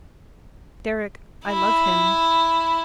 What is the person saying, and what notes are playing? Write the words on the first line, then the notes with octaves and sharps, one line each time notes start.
"Deryck--I love him."
E4